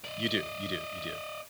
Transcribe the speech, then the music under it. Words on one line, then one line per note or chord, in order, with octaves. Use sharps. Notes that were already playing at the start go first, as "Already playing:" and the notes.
You do, you do, you do.
D5 D#5